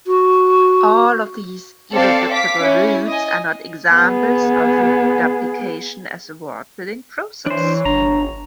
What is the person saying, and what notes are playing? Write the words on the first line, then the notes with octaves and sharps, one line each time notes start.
All of these irreducible roots are not examples of reduplication as a word-building process.
F#4
C4 A4 C5 D5 F5
F5 D6 B6
C#4 E4
D#5 G#5
B3 G#4
E3 D4 C5 C#5
G1 D4 A#5